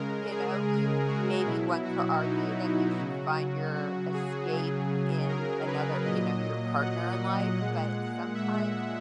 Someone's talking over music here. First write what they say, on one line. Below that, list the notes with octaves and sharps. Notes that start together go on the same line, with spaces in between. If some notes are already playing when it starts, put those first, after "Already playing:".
you know, you m maybe one could argue that you should find your escape in another, you know, your partner in life, but sometimes,
Already playing: C#3 G#3 A#4
G#4
G#4
F#4
B2 F#3 E4
F#4
D#4
F#4
C#3 F#3
F#4
G#4
C#3 F#3
A#4
B4
A#2 F#3 D#5
D#5
F#5
A#2 G#3 F#5
E5